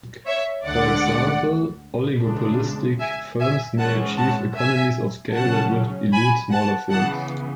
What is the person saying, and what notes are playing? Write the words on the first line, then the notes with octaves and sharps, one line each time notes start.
For example, oligopolistic firms may achieve economies of scale that would elude smaller firms.
C#5 E5
D2 D3 G#3 D4 D5 F#5
E2 C#3 G#3 D4
E5 G#5
E5 G#5
G#2 E3 G#3 C#4 F#5 A5
F#5 A5
E5 G#5
C#3 F#3 C#4 F#5 A5
G#5 B5
F#5 A5
C#3 E3 B3 F#5 A5